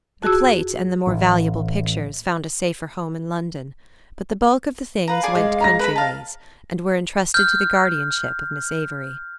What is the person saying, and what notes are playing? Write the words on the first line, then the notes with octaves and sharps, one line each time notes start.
The plate and the more valuable pictures found a safer home in London, but the bulk of the things went country-ways, and were entrusted to the guardianship of Miss Avery.
F2 F#4 G#4 A5 E6
A1
B4 F5 A#5
G#4 D5 G#5
G#3
A#5 A#6
B4 D#5 B5
F5 A5
F6 G6